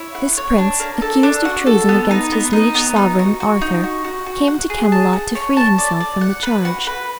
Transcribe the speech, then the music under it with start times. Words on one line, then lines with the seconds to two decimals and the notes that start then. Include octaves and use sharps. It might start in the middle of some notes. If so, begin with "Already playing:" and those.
This prince, accused of treason against his liege sovereign, Arthur, came to Camelot to free himself from the charge.
Already playing: E4 C#5
0.15 F#5
0.37 C#5
0.58 D4
0.80 A#3
1.02 A4
1.23 D4
1.45 F#4
1.66 A4
1.89 B3
2.11 D#4
2.32 B3
2.53 D#4
2.75 B3
2.96 D#4
3.19 F#4
3.40 F#4
3.61 D#4
3.84 F#4
4.05 F#4
4.26 F#4
4.48 F#5
4.70 G#4
4.92 A5
5.13 F#5
5.35 C#5
5.57 A5
5.78 D5
6.00 D5
6.21 F#5
6.43 B4
6.65 F#4
6.87 B4